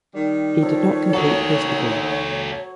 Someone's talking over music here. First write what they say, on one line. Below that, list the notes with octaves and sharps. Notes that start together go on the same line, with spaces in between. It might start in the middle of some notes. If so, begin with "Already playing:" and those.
He did not complete his degree.
D#3 G3
F3 A4 C#5
F#3 A3 A#3 D#4 F#4 A4